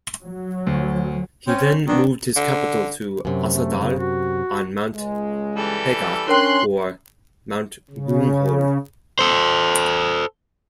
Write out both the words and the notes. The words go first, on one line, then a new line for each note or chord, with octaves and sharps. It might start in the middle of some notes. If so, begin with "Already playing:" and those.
He then moved his capital to Asadal on Mount Paegak or Mount Gunghol.
F#3
D2
C4 C#4
D#3 B3 D4
D3
F#2 C3 F#3
A3
C#3
F#4
C#2 G#3
E3 G3 A4
C#4 D4 A#4 G5 C6 F#6
C#3
A4 C5